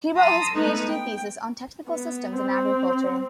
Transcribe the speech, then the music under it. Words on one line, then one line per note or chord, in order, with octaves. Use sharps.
He wrote his PhD thesis on technical systems in agriculture.
A5 A#5 C6 D#6 E6
G#3 A3 B3 D#4
G5
B3
C4